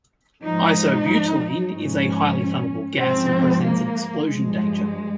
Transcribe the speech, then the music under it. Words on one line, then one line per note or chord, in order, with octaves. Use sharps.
Isobutylene is a highly flammable gas and presents an explosion danger.
G#2 F3 D#4
G#2 F3 C#4
G#2 F3 C4
A#3
G2 F3 G#3